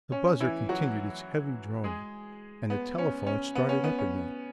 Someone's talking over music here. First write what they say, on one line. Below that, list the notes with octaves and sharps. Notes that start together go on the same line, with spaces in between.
The buzzer continued its heavy droning, and the telephone started up again.
C#4
E3 E4
F#3 F#4
G#3 G#4
B3
C#4
C#4
B3
C#4
B3
C#4